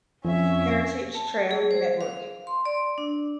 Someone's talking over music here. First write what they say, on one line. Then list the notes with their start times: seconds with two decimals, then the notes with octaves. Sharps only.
Heritage Trail Network.
0.25 F2 C#4 E5
1.14 A5
1.51 G#4
1.71 C5
2.01 F5
2.47 C6
2.65 D5
2.98 D4